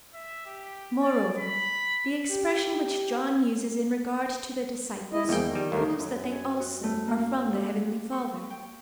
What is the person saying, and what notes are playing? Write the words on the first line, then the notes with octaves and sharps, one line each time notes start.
Moreover, the expression which John uses in regard to the disciples proves that they also are from the Heavenly Father.
E5
G4
D5
B5
G4
E4 D#5
E2 F3 G#3 A#3 G5
D#3
G3
D#2 A3 A#3 A#4
F#2
C#4
F#4
A3
A#3
G3
F#5
C#6
G5